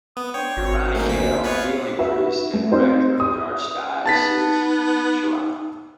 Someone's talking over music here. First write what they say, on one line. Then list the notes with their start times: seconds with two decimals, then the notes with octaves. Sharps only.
Ronnie Cao, Healing Priest and Rector of the Archdiocesan Shrine.
0.17 B3 D#6
0.34 D4 C5 C#5 G5
0.57 G#1 F#4
0.95 F#3 A3 A#3 D#4 G#4
1.07 D2 A#3 C4 B6
1.43 B3 F4 B4 C#5
1.99 F#4 B4 E5
2.54 A3
2.72 C4 D#4 C5
3.20 D#6
4.06 B3 D#4 A5 A6 B6